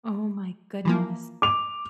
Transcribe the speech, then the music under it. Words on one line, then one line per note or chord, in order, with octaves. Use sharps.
Oh my goodness.
E3 F3 A#3
D6 F7